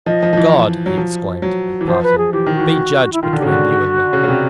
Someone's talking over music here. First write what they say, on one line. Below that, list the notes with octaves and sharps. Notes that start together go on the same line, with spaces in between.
"God," he exclaimed, at parting, "be judge between you and me!"
F3 D#5
F3
F3
E3
F#3
F3
F#3
E3
F3 C5
B4
G#4
E3 G4
D#3
E3 F#4
E4
D#3 F4
D3
G4
C#3 F#4
D3
C#3
C#3
C3